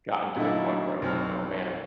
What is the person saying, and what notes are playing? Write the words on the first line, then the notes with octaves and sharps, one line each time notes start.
gotten to the point where I'm like, "Oh, man"
A#2 D3 F#3 A3 D#4 E4
B1 C4 F6